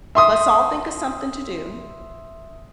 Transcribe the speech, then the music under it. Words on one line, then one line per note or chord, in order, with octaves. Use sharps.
let's all think of something to do,
E5 C6 D#6